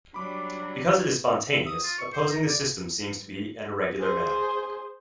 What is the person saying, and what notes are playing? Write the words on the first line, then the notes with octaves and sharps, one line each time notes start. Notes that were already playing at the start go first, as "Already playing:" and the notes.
Because it is spontaneous, opposing the system seems to be an irregular manner.
F#3 G3 D4 B5 D6
E5
D#6
F4
C#6
C5
A#5
D5
G#4 C5